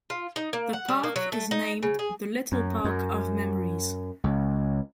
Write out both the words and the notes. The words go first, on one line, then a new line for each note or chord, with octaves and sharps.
The park is named The Little Park of Memories.
F4
D#4
A#3
F#5
G3
A#3
F#3
A3
D#4
C#3
G#4
F#2
F#2
C#2